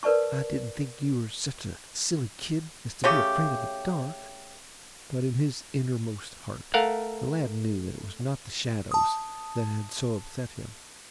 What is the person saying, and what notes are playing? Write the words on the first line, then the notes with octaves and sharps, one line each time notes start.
"I didn't think you were such a silly kid as to be afraid of the dark." But in his innermost heart the lad knew that it was not the shadows that had so upset him.
A#4 B4 D5 A5 C#6
C#3 A3 C#4 G4
A3 A#4 F5 F#5
A5 D#6